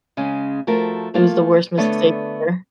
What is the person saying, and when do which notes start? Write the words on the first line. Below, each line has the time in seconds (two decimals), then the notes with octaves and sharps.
It was the worst mistake ever.
0.17 C#3 G#3 C#4
0.67 F3 A3 F#4 A#4
1.14 A3 A#3 F4
1.77 D3 A3 B3 D4 A4 C#5